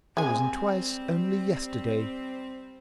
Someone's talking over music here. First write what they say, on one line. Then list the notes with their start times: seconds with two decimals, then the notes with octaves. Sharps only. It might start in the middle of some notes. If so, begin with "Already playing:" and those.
I was in twice only yesterday.
0.17 G3 G#3 C4 G#5